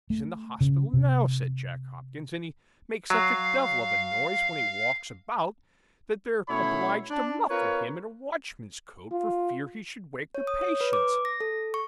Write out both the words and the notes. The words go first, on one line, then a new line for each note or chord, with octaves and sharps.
He's in the hospital now,' said Jack Hopkins, 'and he makes such a devil of a noise when he walks about, that they're obliged to muffle him in a watchman's coat, for fear he should wake the patients.'
A3
C#3
C3
F#3 F5
B2 A3 C#4 E4 C#5 B5
D4
C4 F4 A#4 B4 C#5
F4
C#5
D#6
C#5
B4
D6
A#6
A4
C#6